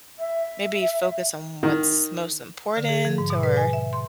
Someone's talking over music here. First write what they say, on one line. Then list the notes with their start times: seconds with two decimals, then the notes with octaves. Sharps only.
maybe focus on what's most important or
0.18 E5
1.63 D#3
2.77 D3
2.89 G#4
3.05 F3
3.18 G#2
3.30 B2
3.43 B4
3.57 G#5
3.73 E5
3.93 C6